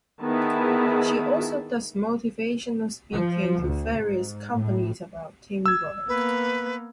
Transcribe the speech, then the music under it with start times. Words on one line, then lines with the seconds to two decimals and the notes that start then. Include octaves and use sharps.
She also does motivational speaking to various companies about teamwork.
0.22 D#3 B3 E4 G#4 A5
3.12 F3
3.65 D2
3.97 G#2
4.53 A2
5.66 E6 G#6
6.08 A#3 B3 B4